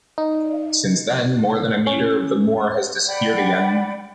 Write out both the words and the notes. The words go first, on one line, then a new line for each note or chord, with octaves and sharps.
Since then, more than a meter of the moor has disappeared again.
D#4
C#4
D5 F#5 G5 B5